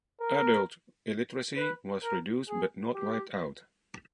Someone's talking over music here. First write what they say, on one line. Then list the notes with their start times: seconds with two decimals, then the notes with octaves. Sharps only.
Adult illiteracy was reduced but not wiped out.
0.20 A#4
1.57 B4
2.03 A#4
2.49 G#4
2.94 G4